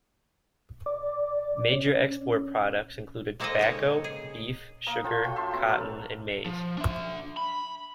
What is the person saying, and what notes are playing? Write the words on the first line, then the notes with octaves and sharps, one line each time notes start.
Major export products included tobacco, beef, sugar, cotton, and maize.
D5
C#4
G#3 A#3 C4 A4 D5 D#5
C#3 D#4 C#5
G#4
A#3 A#5 D#6
A3 F4 C#5 G5
F4 F#4 G5
C#4 E5 A5 C6
F#3 B3 C#4
A4 A#4 D5 F#5
F3
D4 E5
B5